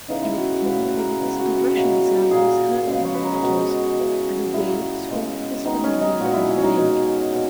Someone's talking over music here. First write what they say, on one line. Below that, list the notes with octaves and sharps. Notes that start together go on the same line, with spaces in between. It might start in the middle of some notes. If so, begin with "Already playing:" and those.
In a few minutes a rushing sound was heard in the waters, and a wave swept the spinning-wheel from the bank.
C#3 E3 B3 D#4
E4
F#4
G#4
A#2 F#3 A#3 B4
B4
A#4
G#4
C#3 E3 G#3 B3
F#4
F#4
B2 F#3 A#3
A#2 A#3 G#4
C#3 G#3 B3
C#5
B4
A#4
G#4
B2 G#3 B3 F#4
C#3 E3 B3
A#2 A#3 E4
C#3 G#3 B3
D#3 G#3 B3 D#4
C#4
D#4
A#2 G#3 B3 F#4
E4
E4
C#4 D#4
B2 G#3 B3
A#2 F#3 B3